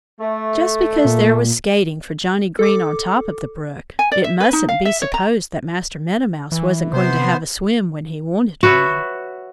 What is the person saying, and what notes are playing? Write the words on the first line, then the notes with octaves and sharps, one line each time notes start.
Just because there was skating for Johnnie Green on top of the brook it mustn't be supposed that Master Meadow Mouse wasn't going to have a swim when he wanted one.
A3
A#2
A4 D6
G#5
D5
E5
B4
D#4
F5
E5
C#5
A#5
E3
C3 B3 C5
F#4 B4 C#5 E5